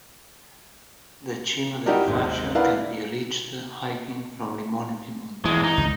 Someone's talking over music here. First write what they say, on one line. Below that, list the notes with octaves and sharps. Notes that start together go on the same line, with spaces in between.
The Cima della Fascia can be reached hiking from Limone Piemonte.
D#4 E4 F#4 G4 A#4 D5
G#1 D#2 G#2
E4 A#4 B4 D5 F5 F#5
E2 E3 G#3
D#4
C#2